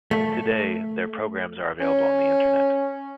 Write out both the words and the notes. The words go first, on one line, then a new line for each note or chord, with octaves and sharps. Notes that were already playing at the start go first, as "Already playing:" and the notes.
Today, their programs are available on the Internet.
A3
C#4